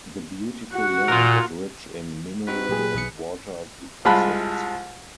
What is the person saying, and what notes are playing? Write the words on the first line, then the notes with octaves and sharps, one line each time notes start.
The beautiful land is rich in mineral and water deposits.
F#4 F#5
A#2 F4 A#4
C4 D#4 F#4 B4
A#2 F#3 G4 G#4
B1 G#4 C#7
C2 G#3 F4 A5 B5 F#6